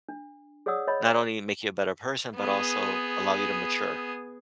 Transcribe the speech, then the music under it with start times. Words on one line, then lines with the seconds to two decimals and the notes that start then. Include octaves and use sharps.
not only make you a better person, but also allow you to mature.
0.09 D4
0.66 G#4 C#5 D5 F#5 D#6 E6
0.87 C#5 D#5 B5
2.36 B3 G#4